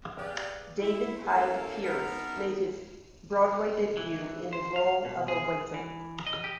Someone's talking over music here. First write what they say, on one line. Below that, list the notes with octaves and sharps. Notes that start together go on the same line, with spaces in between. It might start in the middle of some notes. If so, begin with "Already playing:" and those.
David Hyde Pierce made his Broadway debut in the role of a waiter.
G4 G#4 B4 D5 F5
E4
A#3 C#4 E4 A4
B3 D#4 A4 A#4
E3
C5
F5
B2
G#4
E3
D#5
G4